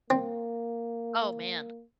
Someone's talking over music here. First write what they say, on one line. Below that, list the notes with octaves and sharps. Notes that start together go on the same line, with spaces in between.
Oh man.
A#3 C4